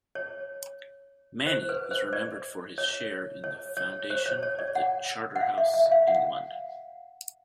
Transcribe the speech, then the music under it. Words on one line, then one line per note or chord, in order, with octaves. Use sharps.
Manny is remembered for his share in the foundation of the Charterhouse in London.
C#5
C5
B4
C5
D5
C#5
C#5
C#5
C5
C#5
C#5
D5
F#5
F#5
F5
E5
E5
E5
F5
F#5